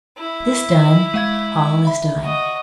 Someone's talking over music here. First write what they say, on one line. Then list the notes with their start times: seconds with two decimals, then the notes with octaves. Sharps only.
This done, all is done.
0.18 E4
1.14 G#3 F5 G#6
1.85 E5 B5
2.21 F#4 D#5